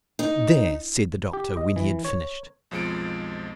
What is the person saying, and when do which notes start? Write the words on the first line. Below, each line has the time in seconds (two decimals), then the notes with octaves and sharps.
"There!" said the doctor when he had finished.
0.19 D#4
1.33 G4
1.57 D#5
1.76 E3
2.05 C#5
2.71 B1 F2 F3 G#3 C#7 D7